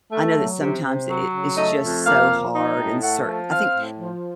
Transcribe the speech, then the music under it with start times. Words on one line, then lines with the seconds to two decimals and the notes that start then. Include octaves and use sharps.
I know that sometimes it it it's just so hard and cert I think
0.11 A3
0.36 F#3
0.59 C3
0.83 C3
1.08 F#3
1.32 C#3
1.56 A3 D#5
1.81 F2
2.05 A#3 F5
2.29 F3
2.54 D#4
2.78 A2
3.01 A3 F#5
3.26 F3
3.50 C4 F5
3.74 A2
3.98 F3